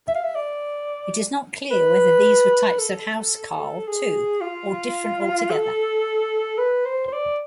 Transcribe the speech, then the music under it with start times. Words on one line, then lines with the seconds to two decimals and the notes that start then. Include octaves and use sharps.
It is not clear whether these were types of "housecarl" too or different altogether.
0.08 E5
0.15 F5
0.23 E5
0.35 D5
1.71 B4
2.79 A4
3.88 G#4
4.41 F4
5.50 A4
6.58 B4
6.85 C5
7.08 C5
7.13 D5